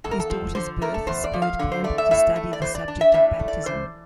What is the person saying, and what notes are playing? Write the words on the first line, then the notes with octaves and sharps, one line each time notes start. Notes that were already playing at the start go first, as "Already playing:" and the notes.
His daughter's birth spurred Campbell to study the subject of baptism.
E2 A4
A#4
A4
F3
D3 C5
A3 A#4
A4
E2 C5
D5
F3
F5
D3
C5
A3 D5
E5
A2 E5
A3
D5
E3 C5
D5
D4
E5
A2 E5
A3
D5
E3 C5